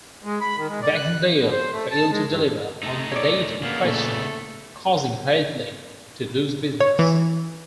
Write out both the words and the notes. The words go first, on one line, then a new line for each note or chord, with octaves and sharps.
Baxendale failed to deliver on the date in question, causing Hadley to lose business.
G#3
B5
D#3
G#3
D5
F#6
B2
C5
A3
A5
G#3
G2
A3 D#4
C#5 D5
C#3 A#3 B3
A#2 A3
C#5
E3